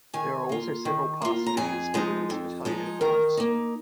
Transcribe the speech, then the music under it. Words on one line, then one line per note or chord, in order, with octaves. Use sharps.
There are also several pasta dishes, evidence of Italian influence.
D#3 G#4 G#5
A#3 F4
D#3
A#3 F4
A#5
F2 G#4 G#5
F3 G#3 D#4
F2
F3 G#3 D#4
D#3 A#4 A#5
A#3 D#4